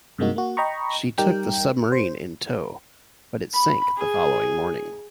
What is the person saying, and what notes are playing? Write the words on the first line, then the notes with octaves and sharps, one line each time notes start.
She took the submarine in tow, but it sank the following morning.
G2 C3 G#3 A#3 D#4 F#4
A#3 F#4
D#5 G5 A#5 B5 C#6
G3 D#4 G4 A#4 G5
C5
B5
G#4